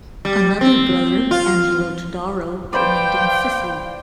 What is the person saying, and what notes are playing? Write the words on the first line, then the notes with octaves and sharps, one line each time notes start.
Another brother, Angelo Todaro, remained in Sicily.
G3
C4
F4
B4 C5 D5 F5 G5